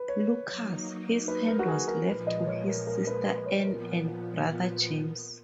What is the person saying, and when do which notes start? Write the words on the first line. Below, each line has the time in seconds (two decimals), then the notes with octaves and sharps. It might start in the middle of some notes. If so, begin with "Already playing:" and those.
Lucas, his land was left to his sister Anne and brother James.
Already playing: B4
0.09 C#5
0.49 F#3 A#3 D#4
1.28 B4
1.48 A#4
1.59 F#4
1.68 G#4
1.88 A#4
2.07 A#2 F3 G#3 B4
2.27 D#5
2.47 C#5
2.68 A#4
2.87 A#4
3.07 B4
3.26 B4
3.46 C#5
3.66 A#2 F3 B3 A#4